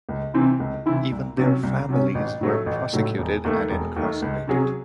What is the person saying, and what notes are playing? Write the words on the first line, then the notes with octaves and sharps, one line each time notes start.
Even their families were prosecuted and incarcerated.
C#2
C3 E3 C4 E4
C#2
C3 E3 C4 E4
C2
C3 F#3 C#4
C2
C3 F#3 C#4
A1
A2 F#3 A3
A1
A2 F#3 A3
E1
D#2 D#3 A3
E1
D#2 D#3 A3
C#2
C3 F#3 C#4 G#4